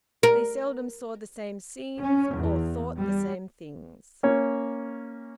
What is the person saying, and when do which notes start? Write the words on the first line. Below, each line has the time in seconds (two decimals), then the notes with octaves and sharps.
They seldom saw the same scenes or thought the same things.
0.23 A#4
2.00 C#4
2.35 E2
2.97 G3
4.23 A#3 C#4 C#5